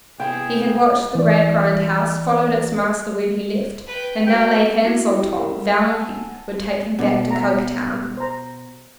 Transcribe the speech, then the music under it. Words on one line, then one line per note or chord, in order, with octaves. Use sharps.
He had watched the Gradgrind house, followed its master when he left and now laid hands on Tom, vowing he would take him back to Coketown.
C3 B3 E4 G#4 G5
E3 D5
B4 G5
A#3 F#4 G5
C4 E4 F#4
E4 G4 A4 G5
A#4
F5 B5
F#5 G#5 A5 E6
B2 D4 B4 D5
E5 F#5 A#5
C5 A#5